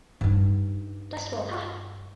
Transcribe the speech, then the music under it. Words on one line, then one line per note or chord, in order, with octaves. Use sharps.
Dust Bowl Ha!
G2 D#4